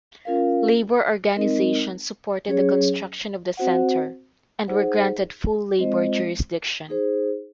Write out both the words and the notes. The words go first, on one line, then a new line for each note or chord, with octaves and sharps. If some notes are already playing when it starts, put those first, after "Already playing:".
Labor organizations supported the construction of the Center, and were granted full labor jurisdiction.
C#4 F4 A#4 F5
G#3 C4 D#4 A#4 D#5
F#3 C#4 G#4 C#5
C4 F#4 C5 F#5
D#4 G#4 C5 F#5
G#3 C4 F4 C5 D#5
D#4 G#4 C5